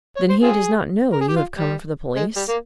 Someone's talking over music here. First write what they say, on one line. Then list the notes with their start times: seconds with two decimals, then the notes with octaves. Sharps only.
"Then he does not know you have come for the police?"
0.17 C#5
0.30 C5
0.43 C4 F4 G#4
1.13 A#4
1.21 G#4
1.29 G4
1.36 F4
1.56 G3
2.16 G#3
2.36 G3
2.49 A#3